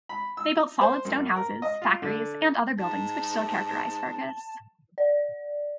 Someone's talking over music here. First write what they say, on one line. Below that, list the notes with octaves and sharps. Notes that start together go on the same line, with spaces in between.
They built solid stone houses, factories and other buildings which still characterize Fergus.
B5
E6
C5
F#2
A#4
D#5
F4
D3
G#2 A5
D5